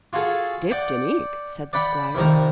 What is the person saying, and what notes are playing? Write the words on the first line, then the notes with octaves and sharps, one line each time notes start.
"Dipped in ink!" said the squire.
F4 F#4 G#4 A4
D5 F#5 G5
D5 F#5 G5 B5
C2 F2 D#3 A#5